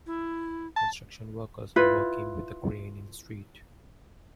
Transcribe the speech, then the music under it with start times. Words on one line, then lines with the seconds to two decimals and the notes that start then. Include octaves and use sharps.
Construction workers are working with a crane in the street.
0.06 E4
0.76 A5
1.76 E4 F4 B4